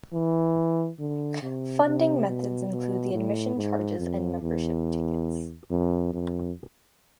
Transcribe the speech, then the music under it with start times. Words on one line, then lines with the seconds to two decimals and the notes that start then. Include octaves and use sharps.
Funding methods include the admission charges and membership tickets.
0.13 E3
0.99 D3
1.42 C3
1.85 C3
2.27 B2
2.71 B2
3.13 A2
3.56 G#2
3.99 F2
4.42 E2
5.70 F2
6.13 F2